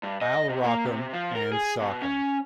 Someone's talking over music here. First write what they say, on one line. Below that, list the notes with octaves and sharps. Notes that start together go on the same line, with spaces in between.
I'll rock 'em and sock 'em!
G2
D#5
C3
A#3
C3
F3
A#4
G#4
B2
C#4